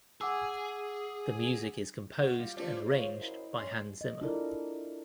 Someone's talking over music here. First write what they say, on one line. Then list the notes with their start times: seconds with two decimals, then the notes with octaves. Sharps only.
The music is composed and arranged by Hans Zimmer.
0.21 G#4 F#5 D6 E6
2.19 F#2 G#3 F4 F#4
2.39 G3 F4
2.57 G3 A3 C#4 D4 F4 C5
2.90 F4 C#5 D#5
3.20 F#2 E4
3.58 C#4 C6
4.01 D#5
4.21 D4 E4 F4 A4 A#4 D5